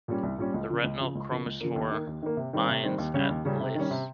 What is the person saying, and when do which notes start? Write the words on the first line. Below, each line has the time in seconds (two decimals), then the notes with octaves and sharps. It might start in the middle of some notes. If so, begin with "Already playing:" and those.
The retinal chromophore binds at Lys.
0.08 A#2 G3 C#4
0.23 C2
0.38 A#2 G3 C#4
0.54 C#2
0.69 C#3 F3
0.84 C#2
0.99 C#3 F3
1.15 C#2
1.30 C#3 F3 A#3
1.46 C#2
1.61 C#3 F3 A#3
1.76 D#2
1.91 D#3 A#3
2.07 D#2
2.22 D#3 A#3
2.37 C3
2.53 D#3 G3 C4
2.68 C3
2.83 D#3 G3 C4
2.98 D#2
3.14 C#3 G3 C#4
3.29 D#2
3.45 C#3 G3 C#4
3.60 C3
3.75 D#3 G3 C#4
3.91 C3